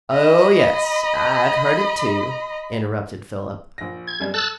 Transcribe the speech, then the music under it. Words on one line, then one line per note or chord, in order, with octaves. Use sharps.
"Oh, yes, I've heard it too," interrupted Philip.
D#5 B5
A#1 A#6
G#6
F#2 G3 B3
A4 E6 F#6 A6